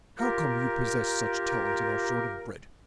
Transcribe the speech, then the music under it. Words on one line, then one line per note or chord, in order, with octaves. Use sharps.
How come you possess such talent and are short of bread.
F4 G4 A#4